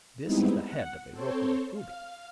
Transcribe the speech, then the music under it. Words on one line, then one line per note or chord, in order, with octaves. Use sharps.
This is the head of a Rokuro-Kubi.
G3 G#3 B3 C4 D#4 E4
F#5
C4 A4 C5 C#5
F5